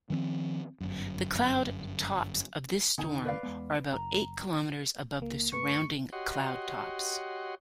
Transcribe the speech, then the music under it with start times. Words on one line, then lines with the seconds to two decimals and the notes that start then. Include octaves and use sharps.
The cloud-tops of this storm are about eight kilometres above the surrounding cloud-tops.
0.10 D#3 F3 A3 C4
0.80 G1 F#2
2.98 E1 D3 D#4 G#5
3.25 B4 D5 F5
3.43 E2 G#3 B3
3.92 F#1 A#5
5.20 C#2 A#3
5.53 G2 A3 B4 C#6
6.12 F#4 G4 C#5 D#5 F#5 C6